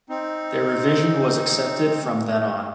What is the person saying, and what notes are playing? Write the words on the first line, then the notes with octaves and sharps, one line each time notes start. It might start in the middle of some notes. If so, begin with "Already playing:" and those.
Their revision was accepted from then on.
C4 D#4